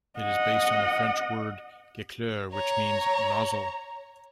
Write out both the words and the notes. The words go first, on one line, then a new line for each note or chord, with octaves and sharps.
It is based on the French word gicleur, which means "nozzle".
D#5 F#5
C#5 A#5